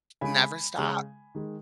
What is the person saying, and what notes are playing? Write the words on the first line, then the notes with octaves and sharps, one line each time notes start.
Never stop.
C#3 G#3 G#5 B5
C#3 G#3
D#3 G#3